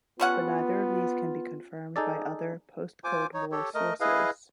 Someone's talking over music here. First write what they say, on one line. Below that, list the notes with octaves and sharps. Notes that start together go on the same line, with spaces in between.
But neither of these can be confirmed by other, post-Cold-War sources.
G3 B3 C#4 F4 F#5
D#4 G#4 A4 D5
F4 C5 G#5 D6
D#4 C#5
G4 A4 C#5
A3 A#4 D#5
E4 G#4 B4 D#5 F5